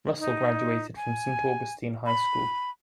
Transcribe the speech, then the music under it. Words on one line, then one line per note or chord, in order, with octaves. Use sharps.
Russell graduated from Saint Augustine High School.
D#4
G#5
B5